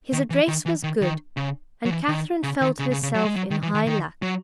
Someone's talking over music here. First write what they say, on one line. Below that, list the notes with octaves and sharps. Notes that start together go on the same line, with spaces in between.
His address was good, and Catherine felt herself in high luck.
D#3
E3
D#3
E3
D#3
D#3
C#3
F#3
E3
D#3
C#3
D#3
C#3
C#3
C#3
F#3
G#3
F#3
D#3
E3
D#3
D#3
F#3